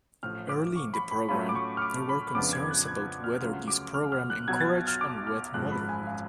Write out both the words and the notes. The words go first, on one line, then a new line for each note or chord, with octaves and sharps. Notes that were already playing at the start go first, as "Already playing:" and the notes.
Early in the program, there were concerns about whether this program encouraged unwed motherhood.
A1 A2 F3 F6
D6
C#6
B5
B5
A2 F#3 A3 C#4 F4 B5
D6
C#6
F6
D6
B5
F2 C#3 F3 B3 D4 D6
G#6
F#6
G#6
F6
D2 C#3 F#3 C#4 F4 F6
D6
F6
F6
F#6
B1 B2 F#3 G#6
A6
F6
D6
F6
G#1 F#2 F3 G#3 F#6
B5
G#5
F5